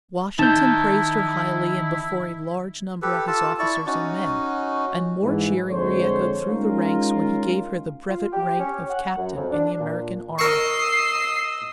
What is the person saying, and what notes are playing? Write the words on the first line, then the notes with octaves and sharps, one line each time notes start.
Washington praised her highly and before a large number of his officers and men, and more cheering reechoed through the ranks when he gave her the brevet rank of Captain in the American Army.
D#3 D#4 E4 A5 G6
G4 A4 B4
F4 A4 A5
E4 D5 C#6
C#4 D#4 F#4
G#2 E3
F2 D3 G#3 C5 C#5
G#3 C#4 D#4 F4 A#4
F4
G4
C#4
F#5
F#2
F2
D4
A#2
A#4 D#5 C#6 E6 C7